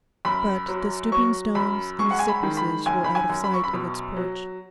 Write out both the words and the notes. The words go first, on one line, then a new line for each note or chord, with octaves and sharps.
But the stooping stones and the cypresses were out of sight of its porch.
F#2 B5
F#3
F#3 C#6
F#2 B5
G#3 C#6
F#5
G#5
B5
D#3
B5
F#2 G#5
B5
G#5
F#2
B5
C#6
B5
B2
F#3